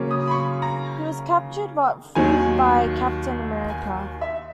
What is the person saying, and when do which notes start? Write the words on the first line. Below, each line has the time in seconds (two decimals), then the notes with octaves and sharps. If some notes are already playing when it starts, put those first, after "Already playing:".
He was captured, but freed by Captain America.
Already playing: C#3 F#3 A#3 C#4
0.11 D#6
0.27 B5
0.31 C#6
0.62 A#5
2.15 D#2 D#3 F#3 G#5
3.70 G#5
4.21 E5